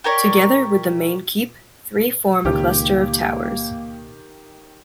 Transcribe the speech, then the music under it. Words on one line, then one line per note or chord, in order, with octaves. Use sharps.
Together with the main keep, three form a cluster of towers.
G4 A#4 C#5 D5
C#2 A#2 D#3 A#3 G4